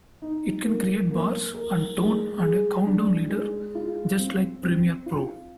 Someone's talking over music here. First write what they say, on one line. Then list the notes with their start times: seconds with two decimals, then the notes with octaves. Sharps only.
It can create bars and tone and a countdown leader, just like Premiere Pro.
0.22 D#4
0.66 A#3
1.11 A#3
1.54 A#4
1.98 G#3
2.43 G#4
2.86 D4
3.30 G#3
3.75 F4
4.19 C4
4.63 C4
5.06 F4